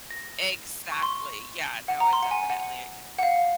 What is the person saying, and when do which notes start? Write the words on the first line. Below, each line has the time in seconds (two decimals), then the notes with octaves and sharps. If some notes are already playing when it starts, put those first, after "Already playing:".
Exactly, yeah, no, it definitely, it can
0.11 A#6
0.92 C#6
1.02 C6
1.88 F#5
2.00 A#5
2.13 C6
2.23 F#5
2.31 G#5
2.50 F#5
3.18 F#5
3.23 F5